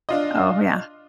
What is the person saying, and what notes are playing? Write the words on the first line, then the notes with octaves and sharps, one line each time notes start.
Oh, yeah.
D4 F4 D#5